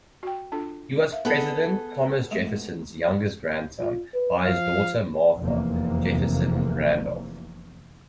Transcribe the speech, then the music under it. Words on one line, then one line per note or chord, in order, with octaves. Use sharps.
He was President Thomas Jefferson's youngest grandson by his daughter Martha Jefferson Randolph.
F#4 G5
D4 F4 A4
E5 F5
B3 G#4 A4
G#3 A3
F4
B4
F3 F5
F1 E2 C3 A#3